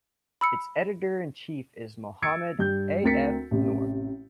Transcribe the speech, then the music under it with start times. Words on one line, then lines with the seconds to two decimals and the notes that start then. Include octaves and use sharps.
Its editor-in-chief is Mohamed A. F. Noor.
0.41 B5 E6 C#7
2.22 E6 G#6 A6 C#7 D7
2.59 G2 G4 G6
3.03 D2 C4 A#4 A6 B6 C#7
3.51 A1 C3